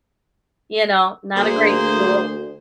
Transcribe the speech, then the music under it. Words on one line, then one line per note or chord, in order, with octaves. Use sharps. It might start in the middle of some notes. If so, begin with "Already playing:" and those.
you know, not a great school."
D2 A#3 G#4 C5